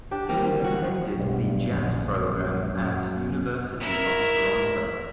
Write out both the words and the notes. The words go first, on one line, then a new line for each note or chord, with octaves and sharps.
He attended the jazz program at University of Toronto.
D4 G4
G3 A#3 C4 G4
D2
G3 F#4
F#2
B1 G2
A#1 F#2
F#2
E4 A#4